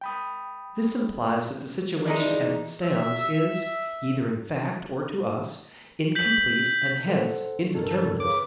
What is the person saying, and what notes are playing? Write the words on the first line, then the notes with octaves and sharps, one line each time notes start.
This implies that the situation as it stands is, either in fact or to us, incomplete and hence indeterminate.
G5 B5 D#6
E3 G3 G#3 D#4
E5
G6 B6 F#7
A4 C5 F#5
G2 A4 A#4
C#3 B4 D6